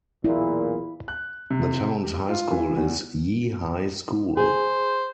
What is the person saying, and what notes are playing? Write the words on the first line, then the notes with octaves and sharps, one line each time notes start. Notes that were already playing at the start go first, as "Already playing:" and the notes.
The town's high school is Yea High School.
B1 E2 A#2 E4
F#6
C3
G4
F4
E3
E2
G#4 C5